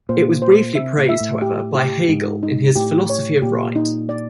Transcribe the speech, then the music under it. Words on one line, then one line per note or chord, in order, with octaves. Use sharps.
It was briefly praised, however, by Hegel in his Philosophy of Right.
A#2 C5
C5
C3 E5
A#2
A#2 E5
A2
G4
G4
G#2 D#4
D#4
A2 G4
C#5
A#2 G4
D#4
D5